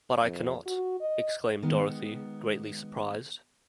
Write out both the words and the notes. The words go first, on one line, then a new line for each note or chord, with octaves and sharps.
"But I cannot!" exclaimed Dorothy, greatly surprised.
F2
F#4
D#5
D#3 G#3 B3